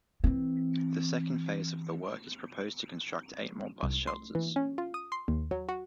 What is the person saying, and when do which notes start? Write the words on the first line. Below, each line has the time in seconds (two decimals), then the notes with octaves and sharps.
The second phase of the work is proposed to construct eight more bus shelters.
0.24 E3 C4
3.83 C2
4.07 C6
4.35 E3
4.56 C#4
4.78 F4
4.94 D#6
5.12 C6
5.28 D#2
5.51 F#3
5.69 F#4